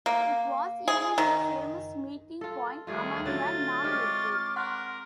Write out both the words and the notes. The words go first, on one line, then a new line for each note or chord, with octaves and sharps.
It was even a famous meeting point among the non-literate.
A#3
G#4
D#3
F4 A4
D#2 G3 A3 F4 G#4
D3 F#3 E4 F4 C#5 A6
G#3 C4 G4 C#6 D6 F6
A#4 F#5 C6 F#6